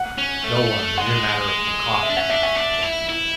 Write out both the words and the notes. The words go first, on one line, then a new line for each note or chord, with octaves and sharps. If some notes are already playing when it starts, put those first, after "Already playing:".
"No one; a mere matter of precaution," answered the Gascon.
Already playing: F#5
C#4
A3
G#3 F#5
E5
D4
C#4 F#5
D4 E5
C#4 F#5
D4
E4
E4